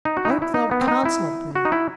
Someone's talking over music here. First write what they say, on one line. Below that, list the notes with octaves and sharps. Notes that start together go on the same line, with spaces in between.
Pope thou canst not be.
D#4
F#4
D#4
E4
E4
D#4
B3
C4
D#4
E4
F#4
D#4
E4